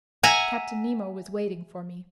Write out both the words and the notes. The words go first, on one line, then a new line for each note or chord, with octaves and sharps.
Captain Nemo was waiting for me.
E5 F#5 G#5 A#5